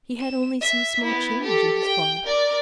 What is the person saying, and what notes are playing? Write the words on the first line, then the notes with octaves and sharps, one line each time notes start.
He had only some small change in his fob.
E7
E5
B3 E4
G4 A4
G5
A#4 D5